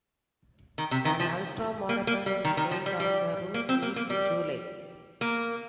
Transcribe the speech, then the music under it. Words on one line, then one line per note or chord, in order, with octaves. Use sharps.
An ultramarathon is held on the route each July.
D#3
C3
D#3
F3
A#3
A#3
G3
D#3
D#3
F3
G3
G3
A#3
C4
A#3
A#3
G3
A#3